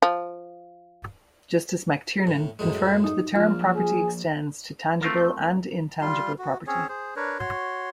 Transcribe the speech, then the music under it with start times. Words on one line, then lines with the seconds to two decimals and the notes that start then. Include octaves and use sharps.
Justice McTiernan confirmed the term property extends to tangible and intangible property.
0.02 F3
2.27 A2
2.59 F#2 A2 G#3
3.04 D#4
3.36 A#1 F4
3.76 G#4
5.01 A3 C4 F4 A#4
6.01 G3 F4 C6
6.39 F#4
6.67 C4 C#4 G#4 C#5
6.89 G#4 C5
7.16 D4 A#4 B4 C#5
7.39 F#4 C#5 C6